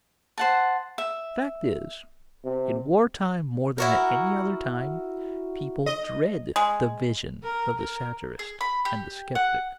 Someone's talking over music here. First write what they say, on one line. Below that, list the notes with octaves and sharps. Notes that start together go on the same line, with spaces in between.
The fact is, in war time more than at any other time, people dread the vision of the satirist and the sceptic.
C5 F#5 A5
E5
C3
E4 F#4 A#4
D#5
G#3
A#4
A#4
G#4
B5
G4
F#5